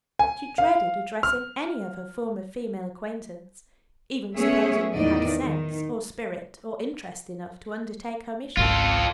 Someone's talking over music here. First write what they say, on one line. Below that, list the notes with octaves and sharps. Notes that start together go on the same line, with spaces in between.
She dreaded addressing any of her former female acquaintance, even supposing they had sense, or spirit, or interest enough to undertake her mission.
G#5
F5
F6
A3 B3 C#4 G#4 C#5 E5
E2 A2 D#3 D5 D#5
D#3
G#1 C#2 F4 A4